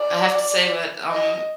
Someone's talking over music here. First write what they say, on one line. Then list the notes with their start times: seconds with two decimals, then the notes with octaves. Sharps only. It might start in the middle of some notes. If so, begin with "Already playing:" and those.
I have to say that, um,
Already playing: D5
1.11 D#5